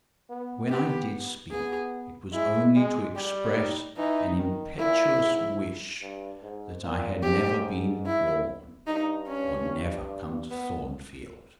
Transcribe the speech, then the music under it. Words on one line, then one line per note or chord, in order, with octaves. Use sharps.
When I did speak, it was only to express an impetuous wish that I had never been born, or never come to Thornfield.
B3
B3 G4
B3 G#4
G#3 E4
G#3
G3 G4
D#4
E3 D#4
D#3
A#2 E4
G#2
G2
G#2
A#2
G#2 G4
E4
G2 D#4
C#4
B3